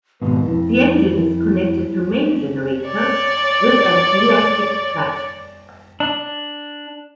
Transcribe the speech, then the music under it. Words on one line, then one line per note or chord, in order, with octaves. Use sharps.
The engine is connected to main generator with an elastic clutch.
D#2 G#2 B2 B4
F2 E4
C#5 D5
D4